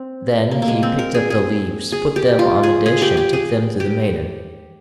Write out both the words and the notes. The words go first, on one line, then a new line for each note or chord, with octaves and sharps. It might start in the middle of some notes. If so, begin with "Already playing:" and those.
Then he picked up the leaves, put them on a dish, and took them to the Maiden.
Already playing: C4
A#3
A#3
G#3
C4
A#4
G#4
G#4
G#4
G4
F4
G#4
G#4
G4
G4
G#4
G4